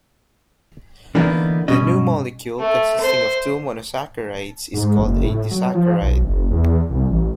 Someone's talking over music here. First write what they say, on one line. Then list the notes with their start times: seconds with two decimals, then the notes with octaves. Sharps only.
The new molecule, consisting of two monosaccharides, is called a disaccharide.
1.15 D3 E3 A#3 B3 D4 D#4
1.68 G2 B2 C#4 D#5
2.59 A3
3.01 C5
4.74 G#2
4.98 F#1
5.24 A2
5.51 F#3
5.75 F3
6.02 B1
6.22 F#1
6.51 E2
6.90 C2
7.10 A1